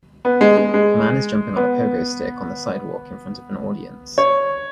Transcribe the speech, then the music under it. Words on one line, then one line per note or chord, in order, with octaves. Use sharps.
A man is jumping on a pogo stick on the sidewalk in front of an audience.
B3
G#3
G#3
G#3
B3
C#5